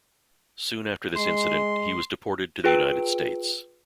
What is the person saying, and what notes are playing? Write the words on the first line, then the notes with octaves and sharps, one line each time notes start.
Soon after this incident, he was deported to the United States.
G#3 C6
F4 G#4 B4 G5 E6 D7